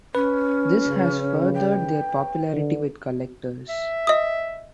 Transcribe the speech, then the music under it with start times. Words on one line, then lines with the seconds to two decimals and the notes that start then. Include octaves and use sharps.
This has furthered their popularity with collectors.
0.15 C#4 B4
0.87 C#3
1.55 G5
2.53 D3
3.69 E5
4.07 D#5 D#6